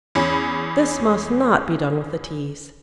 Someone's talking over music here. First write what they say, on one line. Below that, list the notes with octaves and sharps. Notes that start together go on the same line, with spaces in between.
This must not be done with the Teas.
E2 C#4 B5